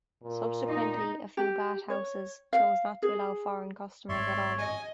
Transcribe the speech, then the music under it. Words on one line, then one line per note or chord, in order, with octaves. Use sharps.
Subsequently, a few bath houses chose not to allow foreign customers at all.
A#2
D#4
G4
C#5
F5
G#4
G#1 G#2 C#5 D5 E5 C6
D#5 G#5